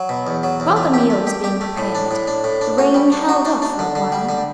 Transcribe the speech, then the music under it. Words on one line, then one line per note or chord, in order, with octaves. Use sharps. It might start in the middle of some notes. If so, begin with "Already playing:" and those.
While the meal was being prepared, the rain held off for a while.
Already playing: F#3
B2
E2
F#3
E2
A3
G4
A3
G4
G4
A3
A2
D4
A2
D4
A2
D4
F#4
G3
D4
F#4
D4
D4
D3
D3
G3
D3